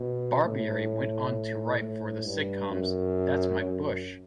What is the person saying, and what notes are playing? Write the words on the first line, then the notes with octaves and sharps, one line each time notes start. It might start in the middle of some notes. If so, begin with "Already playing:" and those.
Barbieri went on to write for the sitcoms That's My Bush!
Already playing: B2
A2
A2
G2
F#2
F#2